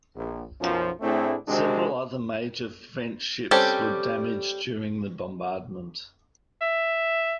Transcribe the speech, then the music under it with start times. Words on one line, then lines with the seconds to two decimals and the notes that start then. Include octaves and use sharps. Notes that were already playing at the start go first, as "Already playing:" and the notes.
Several other major French ships were damaged during the bombardment.
0.15 A#1
0.59 B1 F#2 F3
1.01 A2 A3 C4 D4 E4 G#4
1.46 C3 D#3 G#3 C4 D4 F#4
3.51 G3 C4 C#4 G4 A4
6.61 E5